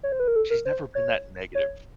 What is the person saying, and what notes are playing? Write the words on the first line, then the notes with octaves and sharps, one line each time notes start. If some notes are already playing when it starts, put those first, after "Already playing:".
She's never been that negative
C#5
C5
B4
A#4
A4
A#4
C5
C#5
C#5